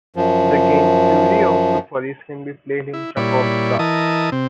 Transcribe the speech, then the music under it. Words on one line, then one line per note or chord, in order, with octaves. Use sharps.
The game Fury of the Furries can be played in Chakobsa.
F#2 F3
E4
A#2 G3 E4 C#5 D5 B5
E3 E4 A#4 D#5 A5 D#6
C3 C4